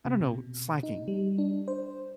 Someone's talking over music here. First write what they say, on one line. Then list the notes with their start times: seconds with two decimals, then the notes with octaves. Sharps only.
I don't know, slacking,
0.05 C3
0.21 B2
0.83 D#4
1.08 G3
1.38 D4
1.68 C5